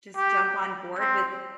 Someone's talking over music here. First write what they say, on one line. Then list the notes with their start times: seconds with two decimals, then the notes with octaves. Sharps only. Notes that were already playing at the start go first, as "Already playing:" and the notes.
just jump on board with
0.16 G4
0.99 C4